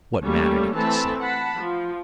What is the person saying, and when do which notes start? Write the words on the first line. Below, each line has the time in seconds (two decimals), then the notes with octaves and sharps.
What mattered it to Simon?
0.24 G3 A3 A#3 C#4 A4
0.76 E3 A3 C4 A4 A5 B5
1.20 F#5 A5 B5
1.57 F3